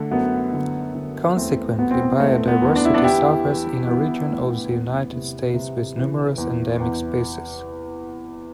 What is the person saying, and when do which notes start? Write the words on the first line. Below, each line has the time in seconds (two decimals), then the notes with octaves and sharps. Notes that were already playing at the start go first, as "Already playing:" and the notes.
Consequently, biodiversity suffers in a region of the United States with numerous endemic species.
Already playing: D3 A3
0.11 F#2 B3
0.53 D3
0.95 D3
1.36 E2 A3 C4
1.78 B2 B3
1.91 C4
2.03 B3
2.20 E2 A3
2.48 B3
2.62 E2
2.76 D4
2.85 E4
2.94 B3 D4
3.04 E3 E4 G4
3.46 E3
3.87 E3 B3
4.29 A2
4.71 E2
5.12 C3
5.54 C3
5.97 E3
6.38 E2
6.80 E2